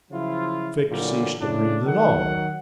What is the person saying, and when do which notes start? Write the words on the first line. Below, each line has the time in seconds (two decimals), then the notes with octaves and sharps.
Fix ceased to breathe at all.
0.11 C#3 F3 F#3 E4 F4
0.90 A#2 D3 E3 F#3 G3 A#3
1.40 A2 C#3 D4
1.85 D#3 F#3 F#5